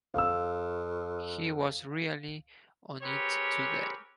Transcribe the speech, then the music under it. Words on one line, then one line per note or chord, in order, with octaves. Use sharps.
He was really on it today.
F2 F5 E6
C4 G4 G#4 A#4 B4 C#5